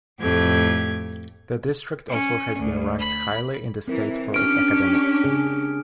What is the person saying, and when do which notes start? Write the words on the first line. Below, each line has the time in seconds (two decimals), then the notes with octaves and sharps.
The district also has been ranked highly in the state for its academics.
0.20 F2 A2 A3 G4 G#6
2.08 C#4
2.59 D2
2.97 B5
3.88 E3 C4 A#4
4.34 C#4 D4 G4 F6 D7
5.24 C#3 G#4